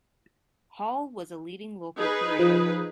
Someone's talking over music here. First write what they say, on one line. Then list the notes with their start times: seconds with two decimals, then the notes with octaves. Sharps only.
Hall was a leading local Puritan.
1.97 D#4 G#4 B4
2.39 F3